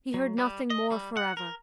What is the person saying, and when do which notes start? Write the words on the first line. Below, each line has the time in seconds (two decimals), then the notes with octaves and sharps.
He heard nothing more forever.
0.14 F#3
0.38 G3
0.70 D#5
0.91 G3
1.17 F#5
1.37 A#4